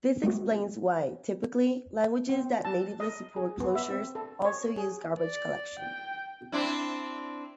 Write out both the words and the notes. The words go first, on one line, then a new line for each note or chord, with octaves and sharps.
This explains why, typically, languages that natively support closures also use garbage collection.
G#3 A3 B3 F#4
C4
A5
D#5
G#4
B3
E5
C4
A4
C#5
G#4
D5
G5
C4 D4 E4